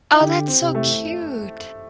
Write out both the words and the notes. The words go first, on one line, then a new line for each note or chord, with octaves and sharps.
Oh, that's so cute.
E4
D3 G4
C4
C3
A3